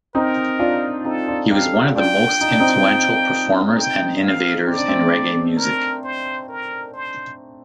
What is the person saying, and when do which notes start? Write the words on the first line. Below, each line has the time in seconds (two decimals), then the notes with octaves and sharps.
He was one of the most influential performers and innovators in reggae music.
0.14 C4 D#4 A#4
0.59 D4 F4
1.05 C4 D#4 A4
1.28 D4 F4
1.50 D#4 G4 F5
1.62 A4
1.73 D#4 G4
1.95 D4 F4 G5
2.41 D#4
2.51 D4
2.60 C4 D#4
3.77 G5
4.21 F5
4.67 C4 D5
4.78 D4
4.88 A3 C4
5.57 A#4
6.03 C5
6.49 A#4
6.94 C5